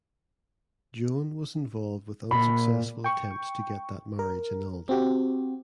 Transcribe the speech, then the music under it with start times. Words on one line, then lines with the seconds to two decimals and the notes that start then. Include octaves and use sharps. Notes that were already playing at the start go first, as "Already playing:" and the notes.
Joan was involved with unsuccessful attempts to get that marriage annulled.
2.31 A#2 B5
3.04 G5 C#6
4.19 A#4
4.89 C4 F#4 G4